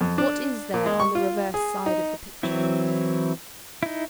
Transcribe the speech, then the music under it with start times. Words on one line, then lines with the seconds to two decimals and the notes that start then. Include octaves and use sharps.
What is there on the reverse side of the picture?
0.01 F2
0.18 D4
0.74 A#2
0.86 G#3
1.00 C#6
1.15 F4
1.54 G#4
1.86 D#4
2.43 E3 F#3 C4 E4
3.83 D#4 E4